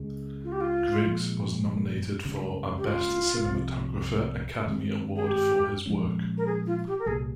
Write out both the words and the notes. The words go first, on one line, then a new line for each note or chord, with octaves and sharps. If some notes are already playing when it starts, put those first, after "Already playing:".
Griggs was nominated for a Best Cinematographer Academy Award for his work.
Already playing: C#2 C#3 G#3
F4
G4
F4
A#2 F3 G#3
C#2 C#3 G3
G4
F4
C2 C3 F3
G2 D#3 G#3 C4
G#4
G4
A#2 F3 G#3 C#4
A#4
G#4
F4
G4
A#4
C2 A#2 G3 G#4